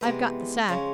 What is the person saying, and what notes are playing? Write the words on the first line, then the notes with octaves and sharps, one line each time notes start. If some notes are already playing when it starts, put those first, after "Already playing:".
I've got the sack.
C3 E3 G#3 B3
C#3 F3 G#3 C#4 F4